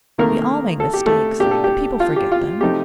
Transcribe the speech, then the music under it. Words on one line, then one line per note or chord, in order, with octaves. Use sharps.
We all make mistakes . . . but people forget them.
C3 D#3 A3 A#3 A#4
A4
G4
A3 A4
A#2 A3 D4 G4
A4
G4
F4
G4
F4
C3 F3 A3 D#4 G4